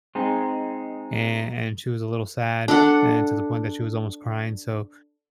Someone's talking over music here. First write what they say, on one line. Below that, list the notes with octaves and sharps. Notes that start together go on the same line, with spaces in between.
an and she was a little sad and to the point that she was almost crying. So,
G#3 C4 D#4
D4 A4 F#5